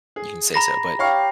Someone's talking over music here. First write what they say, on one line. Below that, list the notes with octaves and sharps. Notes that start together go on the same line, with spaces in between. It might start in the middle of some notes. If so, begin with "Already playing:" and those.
you can say so, but
G#4
A#5 B5 A#6
G4 C#5 F5 C#6